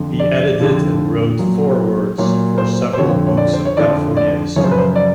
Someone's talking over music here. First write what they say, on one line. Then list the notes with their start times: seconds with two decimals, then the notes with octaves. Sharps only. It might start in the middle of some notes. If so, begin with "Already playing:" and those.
He edited and wrote forewords for several books on California history.
Already playing: F2 D3 F3
0.20 D5
0.60 F2 D3 F3
1.39 A#2 F#3
2.18 A#2 F#3 C#5
2.58 C5
2.93 C5
2.98 F2 D3 F3 C#5
3.27 C#5
3.37 D5
3.54 C5
3.65 C#5
3.77 F2 D3 F3 D5
4.17 D5
4.56 F#2 C#3 F3 C#5
4.64 C5
4.72 B4
4.78 C5
4.96 D5